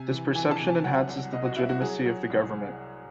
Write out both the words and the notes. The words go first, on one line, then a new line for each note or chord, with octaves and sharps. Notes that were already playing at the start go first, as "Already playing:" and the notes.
This perception enhances the legitimacy of the government.
Already playing: C3 G#5
E3
E3 G#5
A5
C3
G#5
F#3 F#5
C2
C2 D#5
F#4
C2 E4
F#4
F#3 G#4
F#3
C2